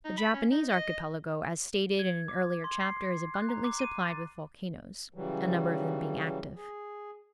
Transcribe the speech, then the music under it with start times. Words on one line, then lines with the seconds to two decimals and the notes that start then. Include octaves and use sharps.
The Japanese archipelago, as stated in an earlier chapter, is abundantly supplied with volcanoes, a number of them being active.
0.05 D#4
0.17 B5
0.34 C#4
0.51 D#4
0.70 D#5
1.99 G#6
2.28 D6
2.64 C6
2.81 C7
3.34 F#6
3.49 A#5
3.64 D6
3.79 D#7
4.05 A6
5.14 C#3 E3 F#3 G3
6.56 G#4